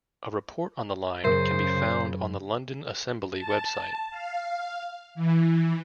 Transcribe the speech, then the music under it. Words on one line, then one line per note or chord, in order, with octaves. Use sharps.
A report on the line can be found on the London Assembly website.
F#2 C#3 A#4 C5 E5
A5
F5
E3